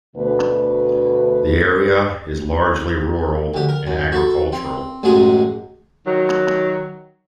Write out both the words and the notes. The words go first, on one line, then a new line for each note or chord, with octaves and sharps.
The area is largely rural and agricultural.
D2 B2 B4
D2 G4
A#4
F#2
F#4 A4
C4
A1 F#2 F#3 G#3 C6 D#6
D#3 F#3